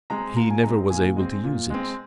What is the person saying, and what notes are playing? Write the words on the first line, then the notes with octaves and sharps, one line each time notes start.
He never was able to use it.
G#3 C4 A#5
A#2 A#5
G#5
G#3 C4 A#5
A#2 G#5
G#3 C4
A#2
G#3 C4